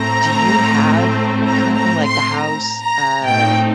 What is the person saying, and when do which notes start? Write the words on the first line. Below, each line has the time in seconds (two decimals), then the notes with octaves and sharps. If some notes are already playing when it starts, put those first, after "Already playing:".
do you have currently, eh, like the house, uh,
Already playing: A2 A3 C4 A#5
1.45 A#5
1.75 A#5
2.05 C6
2.35 A#5
2.80 A#5
3.25 A2 A3 C4 D#4 G5